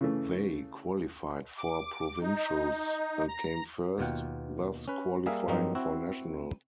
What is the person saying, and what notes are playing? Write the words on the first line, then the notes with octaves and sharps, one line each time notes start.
They qualified for provincials and came first, thus qualifying for national.
C#3 E3 A3
D6
D#4
A#5
D#2 B2 F4 F#5 G5
C#4 B4
G3 A#3 G#4 E5 F5
G2 F3 F#3 A#3 C4 D#4
C4 E4 F#4